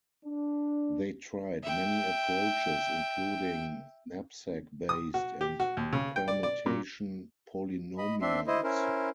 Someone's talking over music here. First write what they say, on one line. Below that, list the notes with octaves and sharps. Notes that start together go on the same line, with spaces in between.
They tried many approaches including "knapsack-based" and "permutation polynomials".
D4
E5 G5
D#6
F#4
G4
F#4
D#2
C#3
G5
D5
D5
A#2
D#5 B5
C4 D4 E5 C6
E4 C5 D#5
C#4 E4 A#4 C5